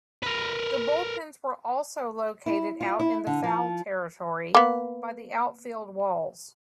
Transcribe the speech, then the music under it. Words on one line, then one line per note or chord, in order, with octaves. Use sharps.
The bullpens were also located out in the foul territory by the outfield walls.
A#4 B4
E4
F4
E4
D3
F3
A#3 B3